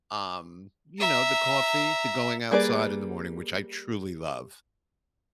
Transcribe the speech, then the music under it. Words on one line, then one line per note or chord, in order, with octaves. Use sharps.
um, you know, the coffee, the going outside in the morning, which I truly love.
E5 A#5
G3 A#3 G#4 B4 D5